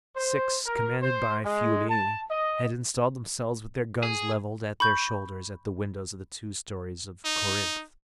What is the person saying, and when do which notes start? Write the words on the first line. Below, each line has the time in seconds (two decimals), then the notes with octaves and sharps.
Six, commanded by Feuilly, had installed themselves, with their guns levelled at their shoulders, at the windows of the two stories of Corinthe.
0.16 C5
0.66 A#4
1.02 C5
1.44 G#3
1.90 A5
2.31 D#5
4.03 G#4
4.80 B5 C#6 G6
7.25 D#4